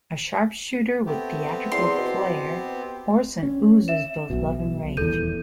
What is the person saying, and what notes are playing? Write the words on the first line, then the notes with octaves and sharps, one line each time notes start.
A sharpshooter with theatrical flair, Olson oozes both love and rage.
A3 B3 C4 G4
E2 C6
B2
C#4
E5 E7
B1 B2
D#1 E2 A4 G6 D#7